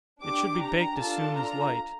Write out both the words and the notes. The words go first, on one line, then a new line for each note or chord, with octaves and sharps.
It should be baked as soon as light.
D4 G4 D6
A#5
D4 F4 A4 A5
A#5